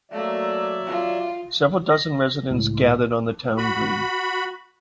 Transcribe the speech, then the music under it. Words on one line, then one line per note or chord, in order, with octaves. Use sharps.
Several dozen residents gathered on the town green.
F#3 A3 A#3 D5 E5
F4
A#6
C#2 A2
F#4 B5